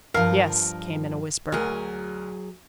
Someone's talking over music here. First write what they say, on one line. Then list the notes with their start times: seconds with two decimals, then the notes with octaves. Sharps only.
"Yes," came in a whisper.
0.14 G2 F3 A#4 F5
1.52 D2 F#3 G#4 A#4